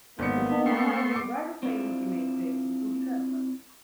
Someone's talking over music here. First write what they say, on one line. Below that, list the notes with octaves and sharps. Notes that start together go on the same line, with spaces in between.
The former highway right of way would be made available to development.
G#1 A#3 B3 D5 C#7
A3 G5 C6 C#6
D6 C7
C4 D4 E4 F4